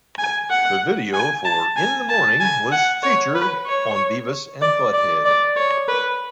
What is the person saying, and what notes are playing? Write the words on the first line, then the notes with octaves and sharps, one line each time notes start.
The video for "In the Morning" was featured on "Beavis and Butt-head".
G#5
F#5
G#5
A5
G#5
A5
G#5
F#5
C#5
B4
C#5
D5
D5
D5
C#5
B4